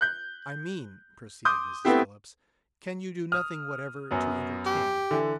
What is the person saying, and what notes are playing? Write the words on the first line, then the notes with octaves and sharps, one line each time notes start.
"I mean," proceeded Mrs. Phillips, "can you do nothing whatever to entertain?"
F#6 G6
C6 D6 D#6 G6
A3 B3 C4 E4 G4
D#6 F6
F#2 F#3 B3
G4
D3 E3